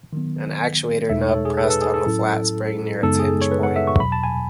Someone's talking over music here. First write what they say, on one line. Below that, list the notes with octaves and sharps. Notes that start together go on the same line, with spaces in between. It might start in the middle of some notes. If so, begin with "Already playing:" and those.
An actuator nub presses on the flat spring near its hinge point.
D#3 F#3 B3
E2 B2 G#3 D#4 E5
C#5
A4
G#4
A4
B4
A4
G#4
A4
A2 F#3 C#4 E4
F#2 C#3 G#3 B3 D#4 A4
G#4
C#5
B4
F#5
E5
C#6
E2 B2 F#3 B5
A5
G#5